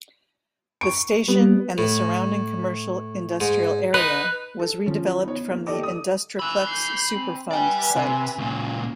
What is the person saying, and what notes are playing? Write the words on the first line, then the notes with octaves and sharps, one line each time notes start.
The station and the surrounding commercial-industrial area was redeveloped from the Industri-Plex Superfund site.
C#6 D7
G3 B3
A2
G#2
D#4 B4
A4
F3 C#4
B3 D#4 C#5
A#3
G4 A4 D5 D#5 D6
D#6
G#5 B5 E6 F#6
G6 C7
C4
B4 D5 E5 G5 G#5
C3
C#2 A#2 C#4